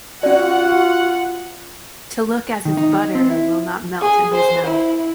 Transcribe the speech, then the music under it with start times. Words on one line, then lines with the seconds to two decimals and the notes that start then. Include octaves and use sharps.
To look as if butter will not melt in his mouth.
0.23 C#4 F4 F#4 D5 F#5
2.65 D#3
2.77 D#4
3.15 C4
3.30 E4
4.01 G#4
4.35 C5
4.67 E4